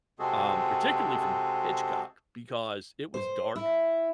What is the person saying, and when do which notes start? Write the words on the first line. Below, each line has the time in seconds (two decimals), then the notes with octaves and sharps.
um, particularly from M Hitchcock because it was dark,
0.19 C3 G#3 C4 F#4 G#4 A4
3.14 C5
3.56 E4